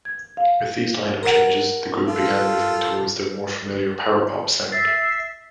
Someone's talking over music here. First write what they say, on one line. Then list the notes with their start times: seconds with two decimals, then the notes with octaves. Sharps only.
With these lineup changes, the group began moving towards their more-familiar power pop sound.
0.05 G#6
0.37 F5
1.23 A#4 F#5
2.08 F4 A4
4.72 E5 A6 C7